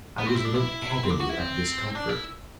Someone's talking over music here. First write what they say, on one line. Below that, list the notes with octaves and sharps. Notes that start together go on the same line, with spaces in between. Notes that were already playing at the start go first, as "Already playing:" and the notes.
'I was in an agony of discomfort.
B3
C4
E4
D4
E4
C4
D4
F#4
E4
C4
D4
E4